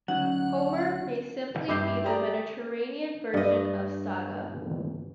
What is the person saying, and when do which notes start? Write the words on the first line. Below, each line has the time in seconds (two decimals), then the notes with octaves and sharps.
"Homer" may simply be the Mediterranean version of "saga".
0.08 D2 F#3 C#4 D#4 F#5
1.68 G2 E4 D6 E6 G6 C7
2.04 G4 G#4 D5 A#5
3.34 G2 D#5